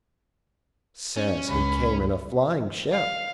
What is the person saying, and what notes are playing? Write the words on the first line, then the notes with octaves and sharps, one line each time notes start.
Says he came in a flying ship.
C#4
C#2 B5
F5